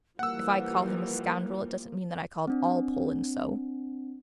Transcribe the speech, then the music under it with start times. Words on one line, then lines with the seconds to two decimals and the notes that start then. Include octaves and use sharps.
If I call him a scoundrel, it doesn't mean that I called all Poland so.
0.19 E3 F3 G3 A#3 F#5 E6
2.47 C4 D4